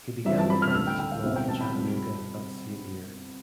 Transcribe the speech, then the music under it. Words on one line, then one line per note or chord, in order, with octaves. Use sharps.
He began the practice of law in Chattanooga that same year.
G2 E3 G3 C4 F4 E5
A5
B5
F6
D2 D3 A3 E6
G5
G5
F5
B2 G3 C4 E4 E5
G5
A5
B5
C3 G3 C4 F4